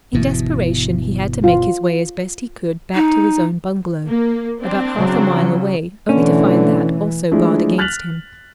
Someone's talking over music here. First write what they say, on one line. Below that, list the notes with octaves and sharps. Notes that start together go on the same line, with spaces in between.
In desperation he had to make his way as best he could back to his own bungalow, about half a mile away, only to find that also barred against him.
G1 B2 E3
F4
D#4
A#3
C4 D4
C#3 F#3
B2 D3 E3 A3 C#4
E3 F3 G#3 A3 D4
F6 F#6 A6 B6 F7 F#7